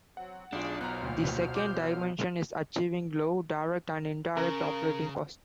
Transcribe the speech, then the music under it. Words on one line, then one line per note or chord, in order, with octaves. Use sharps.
The second dimension is achieving low direct and indirect operating costs.
F#3 C4 F#5
B1 A3 C4 D4 F4 G#4
B2 F#3 C5 A#5 F6 F#6
D2 A#2
D6 G6
C#3 A#4